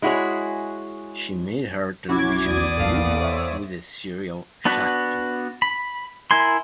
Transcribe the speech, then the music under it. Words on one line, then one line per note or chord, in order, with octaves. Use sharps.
She made her television debut with the serial "Shakthi".
G#3 E4 F#4 G#4 C#5
B1 C#4 E4 F#4 D6 G#6
E2 D5 D#6
A#1 F#2 A#2 A4 F5
C5 C#5 E5
B3 D4 F#4 B4
B5
E4 A#4 G#5 C6